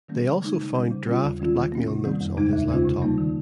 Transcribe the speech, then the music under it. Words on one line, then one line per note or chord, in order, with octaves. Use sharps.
They also found draft blackmail notes on his laptop.
D#3 G3 A#3 C#4
C#3
G#3 D#4
C#3
G3 C#4
C#3
G3 C#4 F4
D#2
D#3 G#3 C#4 F4
D#3
A#3 C#4
C3
D#3 G3 C4
F2
C#3 G#3 D#4
D#2
C#3 G#3 C#4 F4
C3
G3 A#3 D#4
D#3